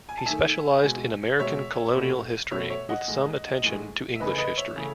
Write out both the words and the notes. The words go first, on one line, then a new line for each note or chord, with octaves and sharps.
He specialized in American colonial history, with some attention to English history.
G#5
A5
D#3 A3 E5 G#5
B2 G#3
B2 G#3 C#5 E5
B2 A3
B2 A3 C#5 E5
C#5 E5
D#5 F#5
A2 E3 G#3
A2 E3 G#3
E5
C#3 E3 A3 B4 D#5
B4 D#5
C#5 E5
C#3 E3 A3